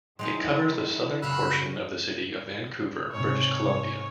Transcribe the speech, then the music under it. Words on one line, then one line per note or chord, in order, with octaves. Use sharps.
It covers the southern portion of the city of Vancouver, British Columbia.
D#3 F#3 G#3 C4 D#4 E4
F#2 C#3 F#4 F5 B5 E6 F#6
G#2 C3 C#5
G#2